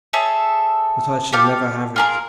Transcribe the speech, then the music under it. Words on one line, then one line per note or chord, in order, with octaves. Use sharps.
"But I shall never have it."
G#4 A4 C#5 E5
G4 A4 F5
F4 G#4 A#4